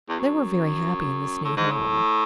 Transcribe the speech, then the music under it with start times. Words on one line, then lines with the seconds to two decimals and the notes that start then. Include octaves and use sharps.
They were very happy in this new home.
0.09 E2
0.19 F#2
1.44 A2
1.57 G#2
1.71 A2